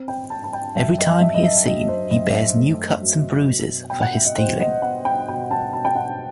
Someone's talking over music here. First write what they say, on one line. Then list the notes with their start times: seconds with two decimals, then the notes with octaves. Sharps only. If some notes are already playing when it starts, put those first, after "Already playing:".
Every time he is seen, he bears new cuts and bruises for his stealing.
Already playing: C4
0.08 G5
0.30 C4 A5
0.44 A5
0.53 G5
0.75 F#2 E5
0.92 E5
0.98 D#5
1.20 F#2 E5
1.34 D#5
1.43 E5
1.66 F#3 D#5
1.88 C5
2.11 F#2 D#5
2.34 E5
2.57 A3
3.01 F#3
3.47 B2
3.90 B2 G5
4.01 F#5
4.13 E5
4.25 D#5
4.37 B2 C5
4.60 D#5
4.82 B3 F#5
5.05 G5
5.28 B2 G5
5.51 A5
5.73 B2 A5
5.85 G5
5.95 F#5